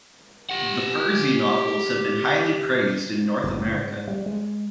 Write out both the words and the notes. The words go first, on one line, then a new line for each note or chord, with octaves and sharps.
The Fursey novels have been highly praised in North America.
G4 F#5
F#1
G#2
G3
G#3